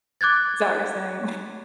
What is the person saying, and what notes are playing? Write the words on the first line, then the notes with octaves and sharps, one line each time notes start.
Is that what you're saying?
D6 F#6 G#6 A6